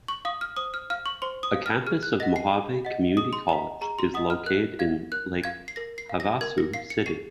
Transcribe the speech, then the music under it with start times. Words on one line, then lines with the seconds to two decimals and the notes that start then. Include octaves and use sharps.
A campus of Mohave Community College is located in Lake Havasu City.
0.08 C#6
0.25 F5 D#6
0.41 F6
0.57 C5 D#6
0.74 F6
0.90 F5 F6
1.06 C#6
1.22 C5 C6
1.43 D#6
1.54 F5
1.66 F6
1.86 G#4 F6
2.03 F#6
2.20 D#5 F#5 A#6
2.36 C7
2.51 G#4
2.85 D#5 F#5
3.17 G#4 D#6
3.33 C6
3.49 D#5 F#5 A#5
3.81 G#4 A#5
3.99 C6
4.14 D#5 F#5 D#6
4.30 F6
4.46 A#4 F#6
4.79 F5 G#6
5.12 A#4 F#6
5.44 F5 G#6
5.68 C7
5.76 A#4 A#6
5.98 C7
6.09 F5
6.20 A#6
6.41 A#4 G#6
6.58 A#6
6.74 F5 C7
6.90 C#7
7.06 G#4 C7